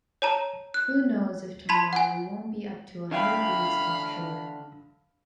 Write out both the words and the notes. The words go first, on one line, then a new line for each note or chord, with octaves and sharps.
Who knows if tomorrow we won’t be up to a hundred leagues offshore?
C#5 A5 A#5
F#6
A5 B5 C6 G#6 B6
F#5 G#5
D3 E5 F5 G5 B5